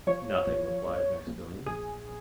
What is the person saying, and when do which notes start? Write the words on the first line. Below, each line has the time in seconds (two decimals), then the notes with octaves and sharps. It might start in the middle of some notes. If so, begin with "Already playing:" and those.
"Nothing," replied Maximilian.
0.07 F3 C#5
0.47 A#1
0.87 A#1
1.27 A#1
1.66 A#1 G#4